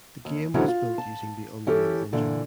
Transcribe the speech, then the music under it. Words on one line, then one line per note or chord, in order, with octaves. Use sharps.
The game was built using the Unreal Engine.
D#2
G#2 D3 F#3 C#4 E4 F#4
F4
A5
E3 C#4 E4 G4 A4
A#2 D3 E3